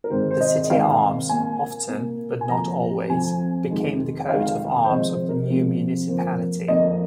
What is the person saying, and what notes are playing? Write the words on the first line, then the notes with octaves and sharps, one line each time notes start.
The city arms often-but not always-became the coat of arms of the new municipality.
A#4
G#2 D#3 C4 C5
C5
D#5
D#5
G#2 D#3 C4 F5
A#2 A#3 G#5
A#2 A#3
G#5
F2 F3 C4 A#5
F2 F3 C4 G#5
F2 D#3 G#3
F2 D#3 G#3 F5
C5
C3 F3 G#3 C4 D#5
C5
A#4
C3 F3 G#3 C4
F2 F3 A#3 C5
F2 F3 A#3 D#5